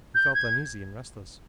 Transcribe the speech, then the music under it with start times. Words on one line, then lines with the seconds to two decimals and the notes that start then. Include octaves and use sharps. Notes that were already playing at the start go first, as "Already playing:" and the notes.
He felt uneasy and restless.
0.15 G6
0.34 G#6